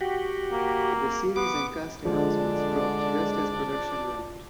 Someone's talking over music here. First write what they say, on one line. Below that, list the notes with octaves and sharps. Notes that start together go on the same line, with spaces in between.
The series and cast announcements dropped just as production wrapped.
F#4 G4
A#3
B3 D6
D3 F3 G#3 D4 D5